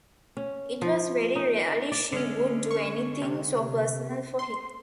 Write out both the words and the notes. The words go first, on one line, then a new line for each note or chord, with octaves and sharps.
It was very rarely she would do anything so personal for him.
C#4
F3
D#4
D5
D3 G#3 C#4
C#6
C3
C6